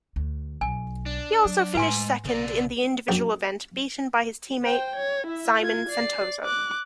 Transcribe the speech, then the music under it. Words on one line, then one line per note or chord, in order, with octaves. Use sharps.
He also finished second in the individual event, beaten by his teammate Simon Santoso.
D2
B1 G#5
D4
F#3
A2 G#3 B4 G#5 A#5 C6
B1 C#3 D5
A#1 F#2 G5
C5 G5
C#5
E4 E5
F4 G#6
D5 C7
D6 F#6